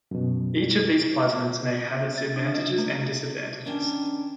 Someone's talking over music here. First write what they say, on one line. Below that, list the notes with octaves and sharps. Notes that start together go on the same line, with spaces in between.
Each of these plasmids may have its advantages and disadvantages.
F#2 B2
A6
D4
D#5
A3
D#3 C#4 D4 C#5 G5